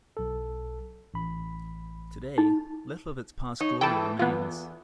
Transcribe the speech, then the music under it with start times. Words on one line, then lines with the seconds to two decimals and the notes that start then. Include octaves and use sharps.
Today, little of its past glory remains.
0.17 B1 A4
1.14 A1 B5
2.38 D#4
3.61 D#4 C#5
3.81 E2 E3 A3 G5 A5
4.19 E2 B3 F4